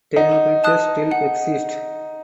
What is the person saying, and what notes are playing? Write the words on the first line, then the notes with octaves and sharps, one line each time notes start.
Ten bridges still exist.
D#4 F#5
A5 D#6 F#6
F#5